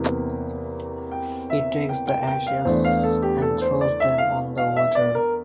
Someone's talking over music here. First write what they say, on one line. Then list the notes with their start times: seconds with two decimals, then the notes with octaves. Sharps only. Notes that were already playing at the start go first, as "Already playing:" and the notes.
He takes the ashes and throws them on the water.
Already playing: E2 C3 E3 A#3
1.12 G5
1.50 E5
1.89 G5
2.07 G5
2.27 G5
2.47 F5
2.65 E2 E3 A3 D4 C5
2.84 F5
3.03 A4
3.22 G4
3.42 A4
3.61 C5
3.81 D5
4.00 E5
4.18 F5
4.58 F5
4.76 E5
4.95 D5
5.15 A#4